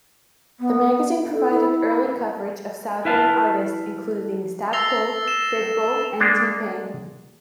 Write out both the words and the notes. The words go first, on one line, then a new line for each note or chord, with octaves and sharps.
The magazine provided early coverage of southern artists including Stat Quo, Pitbull, and T-Pain.
B3
A4
E4
E4 B4 E5 F5 A5
E6 A6 A#6 C7 F7 G7
E7
G#3 A#3 D4